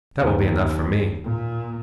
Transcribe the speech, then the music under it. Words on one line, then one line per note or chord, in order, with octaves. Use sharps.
That will be enough for me.'
D#2
A#2